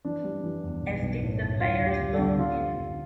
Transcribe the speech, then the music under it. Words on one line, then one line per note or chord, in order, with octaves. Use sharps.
As did the players loaned in.
E3 D4
G3
E3
E2
B1
B1
A2
A2
D2 F4
D2
G4
D3
A4
D3
D3 F4
G3
D3